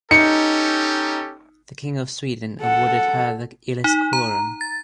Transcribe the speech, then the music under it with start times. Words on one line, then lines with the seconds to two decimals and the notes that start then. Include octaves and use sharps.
The King of Sweden awarded her the Illis quorum.
0.11 C#4 D#4 G4 A4 C#7
2.61 A4 F#5
3.84 D#4
4.13 A#5
4.61 A6